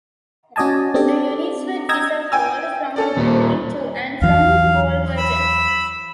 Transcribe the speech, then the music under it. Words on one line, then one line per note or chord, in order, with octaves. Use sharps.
The units were diesel hauled from Bury to and from Wolverton.
C#4 F#4 D5 D#5 G#5 A5
C4 D4 G4 A4 D5
D#5 G5 A#5 E6 G#6 A#6
G5 G#5 E6
C#4 A4 D5
D#2 A#2
E2 E3 F#3 F5
B5 E6